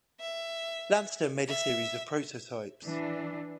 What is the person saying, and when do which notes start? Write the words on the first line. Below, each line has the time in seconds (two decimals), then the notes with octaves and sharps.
Lanston made a series of prototypes.
0.20 E5
1.49 E5
2.83 E3 D4